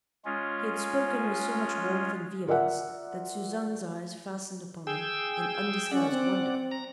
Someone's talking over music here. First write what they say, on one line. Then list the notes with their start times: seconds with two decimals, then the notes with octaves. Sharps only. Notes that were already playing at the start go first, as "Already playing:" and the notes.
He had spoken with so much warmth and vehemence that Suzanne's eyes fastened upon him in undisguised wonder.
0.25 G#3 C#4 F4
2.47 F4 A#4 D5 E5 F#5
4.87 G#4 G5 E6
5.91 C#4 D5 F#5
6.11 C4
6.71 A#5